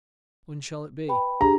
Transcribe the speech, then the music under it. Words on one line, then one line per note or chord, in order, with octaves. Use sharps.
"When shall it be?"
B4 G5 B5
D4 G4 G#4 A#5